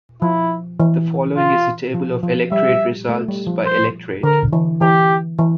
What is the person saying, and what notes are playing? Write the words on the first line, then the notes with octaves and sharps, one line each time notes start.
The following is a table of electorate results by electorate.
F3 E4
E3
F4
F3
F3
G3 E5
A3
G3
F3
C5
D3 A#4
E3
E3 G4
E3